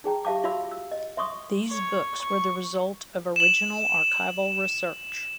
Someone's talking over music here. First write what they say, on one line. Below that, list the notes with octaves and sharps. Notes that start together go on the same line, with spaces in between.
These books were the result of original archival research.
D#4 G#4 G5 A#5
G4 E5 F5 A5 D6
F4 F#4 E5 F5 B5 E6
E6
D#5
E5 C6 C#6 D#6
C#5
C#6
E7 F#7